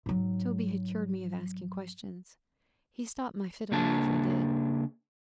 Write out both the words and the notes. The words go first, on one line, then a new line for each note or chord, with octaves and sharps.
Toby had cured me of asking questions. He stopped my fiddling if I did.
G#2 F#3
C#3 A#3 D4 G#4 A5